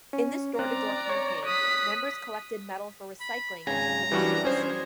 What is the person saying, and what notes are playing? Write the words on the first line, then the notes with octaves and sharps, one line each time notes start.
In this door to door campaign, members collected metal for recycling into munitions.
C#4
C4 D5 A#5 F#6
C#5
D#6 F#6 B6
B5
G#1 C#3 G#5 A#5
F#2 E3 G3 D4 F#4
C#4 G#4 C5